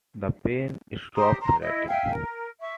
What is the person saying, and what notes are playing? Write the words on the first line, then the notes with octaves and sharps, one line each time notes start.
The pen stopped writing.
G4 A#5 C6 D#6
A#5 C6
E4 D#5
E5 F5 G5 G#5
A#4
E5 C#6